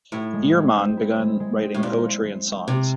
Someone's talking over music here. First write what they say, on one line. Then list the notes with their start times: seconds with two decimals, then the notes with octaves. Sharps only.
Biermann began writing poetry and songs.
0.12 A2 E4
0.33 G#3
0.55 G#3
0.76 C4
0.97 E4
1.19 G#3
1.40 G#3
1.61 C4
1.74 A2
1.83 A#2 E4
2.04 G#3
2.25 G#3
2.47 C4
2.68 C3 E4